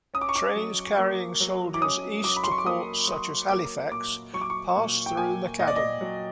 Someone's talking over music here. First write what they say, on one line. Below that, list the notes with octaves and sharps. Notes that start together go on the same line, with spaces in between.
Trains carrying soldiers east to ports such as Halifax passed through McAdam.
C#4 D#6
D6
C#6
D6
F#3
A#3
F#3
D6
C#4 D#6
F#3 D6
B5
C6
C#6
D6
A#3 D#6
F#3
A#3 D6
A#2 D6
F#3 C#6
D6
C#6
A#2
G5
A#3 G#5
A#2 D#5
D5
D#5
F#3